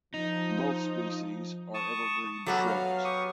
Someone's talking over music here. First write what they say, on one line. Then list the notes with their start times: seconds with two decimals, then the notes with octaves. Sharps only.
Both species are evergreen shrubs.
0.14 F3 D#4
1.74 A5 C#6 D#6
2.46 F#3 B3 F#4 G4 A4
2.66 F5
3.04 G4 C#6 D#6